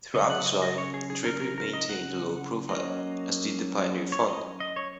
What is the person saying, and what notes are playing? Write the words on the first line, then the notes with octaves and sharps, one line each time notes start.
Throughout his life, Draper maintained a low profile, as did the Pioneer Fund.
C#3 F#3 C#4 D#5
F#5
D#5
D#5
C#5
G#4
G#4
A#4
A#4
A#4
D#5
F#5
F#3 A#3 C#4 D#5
C#5
D#5
D#5
C#5